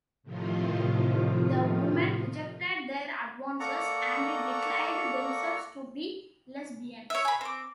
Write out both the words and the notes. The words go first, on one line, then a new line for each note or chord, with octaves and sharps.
The women rejected their advances and declared themselves to be lesbians.
A2 C3 D#3 F3 F4
A#3 A4 D5 F#5 A#5 C#6
C#5 E5
G#4 B5
C4 D6